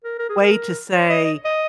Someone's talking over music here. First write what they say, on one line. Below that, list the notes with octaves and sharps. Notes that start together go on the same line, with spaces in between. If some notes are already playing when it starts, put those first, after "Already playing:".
way to say
A#4
A#4
G#4
A#4
C#5
D#5
D#5
D#5